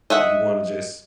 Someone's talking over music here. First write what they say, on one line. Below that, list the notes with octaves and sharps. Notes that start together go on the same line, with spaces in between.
You wanna just
D#5 E5 F#5